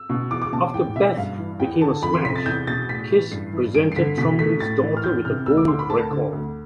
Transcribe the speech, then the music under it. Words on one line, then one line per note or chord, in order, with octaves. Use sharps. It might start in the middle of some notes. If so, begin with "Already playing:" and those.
After "Beth" became a smash, Kiss presented Trombley's daughter with a gold record.
Already playing: E6
B2
E2 D6
D6
B2 A5
E2 G5
B2 E5
G2 F5
E3
E2 G5
D3 A5
F2 B5
C6
C3 B6
A6
E2 G6
B2 A6
A2 B6
E3
G2 C7
E3
G2 D7
C7
D3 B6
B2 B6
A3 B6
A2 A6
E3
F6
E2 G6
C3 F6
D2 E6
D6
D3 C6
B5
D2 A5
D3
D2